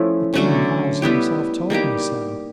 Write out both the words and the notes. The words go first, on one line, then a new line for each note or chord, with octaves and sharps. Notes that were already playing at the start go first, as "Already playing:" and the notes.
"The king has himself told me so."
Already playing: F3 A3 C#4 E4
D3 F#3 A3 C#4
G3 B3 E4 G4
G3 A#3 D#4 G4